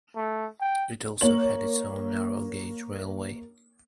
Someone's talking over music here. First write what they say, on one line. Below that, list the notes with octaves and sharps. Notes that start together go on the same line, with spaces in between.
It also had its own narrow gauge railway.
A3
G5
A#3 C#5 F#7